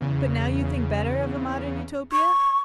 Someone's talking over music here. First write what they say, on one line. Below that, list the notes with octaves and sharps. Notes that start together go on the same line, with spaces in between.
But now you think better of a modern Utopia?
E2 C#3
C#6